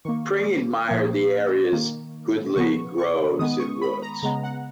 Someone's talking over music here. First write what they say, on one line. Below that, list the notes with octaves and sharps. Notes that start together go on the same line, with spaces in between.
Pring admired the area's goodly groves and woods.
D#3 A#3 C#6
A#2 F3 A#3
D#3 A#3
C#3 F3 B3 C#6
C#6
D#3 G#3 B3 D#6
C#6
B5
A#5
C#3 G#3 B3 A#5
F#5